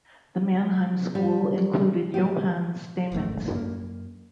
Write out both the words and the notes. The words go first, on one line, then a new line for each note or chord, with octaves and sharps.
The Mannheim school included Johann Stamitz.
G3
G4
E1 A1 G#2 A3
F#2 A#3